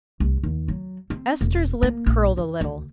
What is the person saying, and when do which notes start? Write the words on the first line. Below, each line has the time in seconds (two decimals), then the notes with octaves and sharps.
Ester's lip curled a little.
0.20 C2
0.43 D#2
0.68 F#3
1.10 C4
1.41 E1
1.83 A#3
2.06 A#1
2.37 F2
2.61 D2